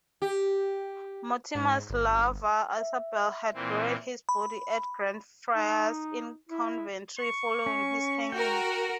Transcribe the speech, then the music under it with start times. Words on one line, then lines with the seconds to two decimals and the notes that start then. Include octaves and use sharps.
Mortimer's lover Isabella had buried his body at Greyfriars in Coventry following his hanging.
0.22 G4
1.55 G#2
1.90 G1
2.79 E5
3.54 A#2 E3 C4
4.29 B5
5.55 D#4
6.49 E4
7.18 C#6
7.66 C#4
8.32 F#4 A#4 G5